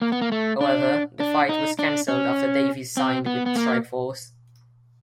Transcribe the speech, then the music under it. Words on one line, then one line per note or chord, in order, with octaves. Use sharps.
However, the fight was cancelled after Davis signed with Strikeforce.
A#3
B3
A#3
A3
D4
D4
D#4
D4
C#4
C4
B3
B3
A#3